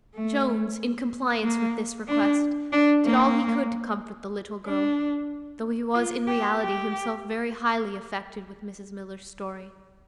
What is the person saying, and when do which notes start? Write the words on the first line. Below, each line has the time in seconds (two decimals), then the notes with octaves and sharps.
Jones, in compliance with this request, did all he could to comfort the little girl, though he was, in reality, himself very highly affected with Mrs Miller's story.
0.15 A3
1.44 A#3
2.08 D4
2.73 D4
3.05 A#3
4.66 D4
5.95 F4
6.27 G4
6.59 G4